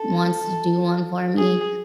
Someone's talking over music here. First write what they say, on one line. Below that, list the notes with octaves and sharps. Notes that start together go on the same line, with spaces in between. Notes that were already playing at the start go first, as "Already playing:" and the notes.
wants to do one for me,
Already playing: A4
G#4